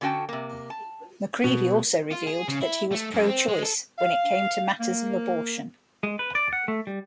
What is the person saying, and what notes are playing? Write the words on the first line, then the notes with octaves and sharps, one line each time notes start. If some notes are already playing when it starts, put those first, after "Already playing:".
McCreevy also revealed that he was pro-choice when it came to matters of abortion.
D3 C#4 F#4 F#5 G5 A5
C3 A#3
A5
B2
F4
G#4
C#3
E4
A3
F#2
C4
G#3
A4
F5
A#3
G#3
B4
D5
F#5
A3
G3